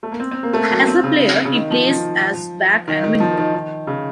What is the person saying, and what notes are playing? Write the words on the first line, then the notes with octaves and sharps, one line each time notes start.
As a player, he plays as back and winger.
A3
A#3
C4
C4
A#3
A3
F#3
C4
C#3
C#3
D#3
F3
F3
D#3
D#3
F3
D#3
D#3
C#3